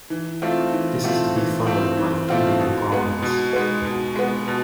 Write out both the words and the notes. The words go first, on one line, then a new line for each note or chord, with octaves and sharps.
This is to be followed by feeding Brahmins.
E3
A3 C4 F4
E3
A3 C4 F4
E3
A3 C4 F4
E3
A3 C4 F4
B2
G#3 B3
B2
G#3 B3
B2
G#3 B3
B2